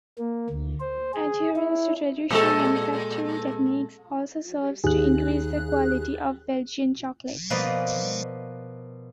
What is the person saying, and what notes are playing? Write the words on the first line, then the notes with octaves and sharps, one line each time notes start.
Adherence to traditional manufacturing techniques also serves to increase the quality of Belgian chocolate.
A#3
D2
C5
G#4
E4
A#2 G#3 A4
D#2 G#4 F#6
B2 F3 A#3 B4 D5 D#5